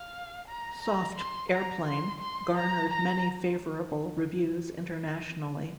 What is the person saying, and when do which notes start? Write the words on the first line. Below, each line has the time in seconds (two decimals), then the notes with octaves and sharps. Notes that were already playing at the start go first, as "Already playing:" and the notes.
"Soft Airplane" garnered many favourable reviews internationally.
Already playing: F5
0.48 A#5
0.82 A#5
1.18 C6
1.51 A#5
1.87 C6
2.21 C6
2.56 A#5
2.90 A#5